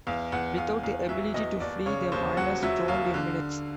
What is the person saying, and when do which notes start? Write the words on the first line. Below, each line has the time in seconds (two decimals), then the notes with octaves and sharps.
Without the ability to flee, the miners drowned in minutes.
0.07 E2 F5
0.32 E2 F#5
0.58 E2 F5
0.83 E2 F5
1.09 F#3 E5
1.34 E2 D#5
1.60 D#2 D5
1.86 C#3 C#5
2.12 D#2 C5
2.37 F#3 F#5
2.63 F#3 E5
2.88 D#2 F5
3.14 D3